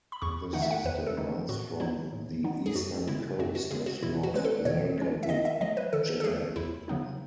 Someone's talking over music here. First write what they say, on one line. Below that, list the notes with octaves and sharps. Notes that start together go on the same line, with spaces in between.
The system runs from the eastern coast of North America to Japan.
B5
E2 C#6
D#3 A3 D#4 F#5
E5
F#5
E2 B4
A4
D#3 A3 D#4
A2 F#4
F#3 B3 D#4 E4
A2
F#3 B3 D#4
G#4
F#2 F#4
C#3 G#3 B3 E4
F#2 F#4
F#4
C#3 G#3 B3 G#4
F#4
B2 E4
F#4
G#3 C#4 B4
A4
B2 C#5
G#3 C#4
E5
D#3 D#5
E5
F#3 A3 D#5
B4
D#3 A4
A4
F#3 A3 G#4
E2 E4
C#3 F#3 B3 D#4